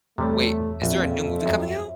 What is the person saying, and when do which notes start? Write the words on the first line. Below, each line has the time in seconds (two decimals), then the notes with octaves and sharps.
Wait. Is there a new movie coming out?
0.18 E2 C3 G3 A3 C#5
0.82 A#1 F2 E5
1.46 F#2